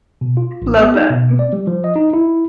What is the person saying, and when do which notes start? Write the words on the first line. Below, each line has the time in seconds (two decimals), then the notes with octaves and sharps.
Love that. Mhm.
0.21 B2
0.37 F4
0.62 A1
0.80 B3
0.96 D#4
1.10 B2
1.39 D5
1.53 G3
1.67 F3
1.84 D#5
1.95 D#4
2.13 E4